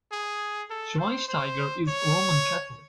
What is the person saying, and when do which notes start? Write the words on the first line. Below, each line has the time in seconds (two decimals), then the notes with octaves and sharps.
Schweinsteiger is Roman Catholic.
0.12 G#4
0.70 A4
0.99 C5
1.29 C5
1.88 C#5